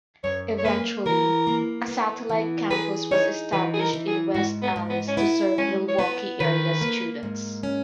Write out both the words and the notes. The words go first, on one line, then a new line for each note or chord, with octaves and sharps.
Eventually a satellite campus was established in West Allis to serve Milwaukee area students.
F#2 C#5
C#5
A#3 B4
E3 A#4
A#3
B3
E3
G#4 B4
D#4 C#5
E3 B4
G#4
A#4
E3
G#4
G#2 F#4
B3
G#2
B3
C#4
B3 E4
G#3 C#4
C#5
B3 B4
D#3 B4
A#3
G#2
C#4